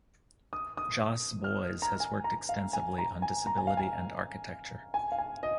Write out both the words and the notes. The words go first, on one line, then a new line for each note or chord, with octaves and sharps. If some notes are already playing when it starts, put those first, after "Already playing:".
Jos Boys has worked extensively on disability and architecture.
D#6
D#6
F6
A#5
G#5
A#5
F5
G#5
A#5
G#5
A#5
G#5
F5
G#5
G#5
F5
G#5
D#5